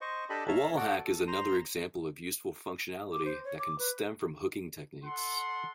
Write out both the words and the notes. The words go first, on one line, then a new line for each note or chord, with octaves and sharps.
A wallhack is another example of useful functionality that can stem from hooking techniques.
C5 D#5 C#6
D4 G4 A4 D#5 B5
A4 C#5 E5 F5 A5 A#5
F#4 A4 D5 F#5
A4
C5 A#5 C6
D6
C5
C#5
D6
B4
A4 F#5 C6